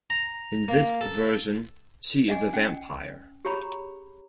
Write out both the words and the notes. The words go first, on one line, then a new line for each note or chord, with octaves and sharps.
In this version she is a vampire.
A#5
A#3
A4
D5 D#5 F#5 G#5 D6
C#4 F#5 G5
G4 G#4 C#5 A#5 B5 D6